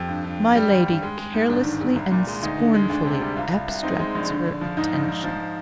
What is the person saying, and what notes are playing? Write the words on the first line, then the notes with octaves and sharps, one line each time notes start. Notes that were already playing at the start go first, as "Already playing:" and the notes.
My Lady carelessly and scornfully abstracts her attention.
Already playing: F2 G4
G2
G2
G2
G3 G4
G#1
G2
G#3
G#3
G#2
G1 D4
D#3
G1
C2
A#2
G#3
D2 D#4
D3
G#3
D2 D4
C3
G3
C2 F4
C2
C2
C4 D#4
G#3
A#1
D3
D3
F3
G#2 D#4
A#1
G#2
F3